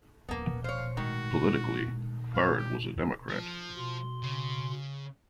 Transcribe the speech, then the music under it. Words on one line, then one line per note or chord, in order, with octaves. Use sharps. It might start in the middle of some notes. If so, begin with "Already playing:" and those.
Politically, Bard was a Democrat.
D#1 F3 A#3 B3
C5 C#5 F5
A2 D#3 G#3 F#4
C4 F5
G4
F3
B2 C6
C#3